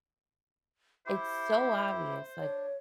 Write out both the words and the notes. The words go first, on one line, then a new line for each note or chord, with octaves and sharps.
it's so obvious, like,
E4 G4 C5 E5
D4 C#5